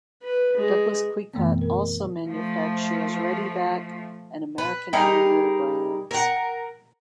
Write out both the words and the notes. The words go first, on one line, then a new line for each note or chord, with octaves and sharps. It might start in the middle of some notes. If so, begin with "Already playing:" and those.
Douglas Quikut also manufactures ReadiVac and American Angler brands.
B4
G#3
F#2 B2 E3 A3 B3 C4
A#4
F3 A3
B4
G3 D#4 G#4 A#4
A#4 F#5